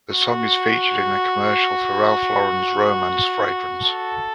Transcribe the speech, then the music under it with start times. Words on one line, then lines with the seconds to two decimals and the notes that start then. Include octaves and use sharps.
The song is featured in a commercial for Ralph Lauren's Romance fragrance.
0.16 F#4
3.87 A4